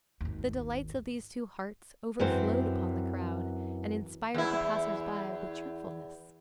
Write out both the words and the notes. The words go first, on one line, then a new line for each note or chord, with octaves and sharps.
The delights of these two hearts overflowed upon the crowd, and inspired the passers-by with cheerfulness.
G#1 D#2
F#2 E3 C4 C5
E2 E4